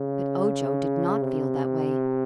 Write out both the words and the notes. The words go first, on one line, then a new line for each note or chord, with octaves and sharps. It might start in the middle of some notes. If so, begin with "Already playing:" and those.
But Ojo did not feel that way.
Already playing: C#3
C3